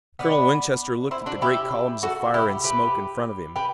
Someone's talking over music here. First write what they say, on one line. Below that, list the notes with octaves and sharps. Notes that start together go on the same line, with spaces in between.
Colonel Winchester looked at the great columns of fire and smoke in front of him.
B3 D4
C4 E4
D4 F#4
E4 G4
F#4 A4
E4 G4
G4 B4
G4 B4